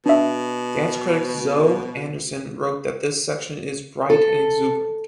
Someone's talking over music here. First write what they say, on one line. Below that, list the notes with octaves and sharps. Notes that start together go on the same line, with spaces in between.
Dance critic Zoe Anderson wrote that this section is "bright and exuberant".
B2 D4 E5
A4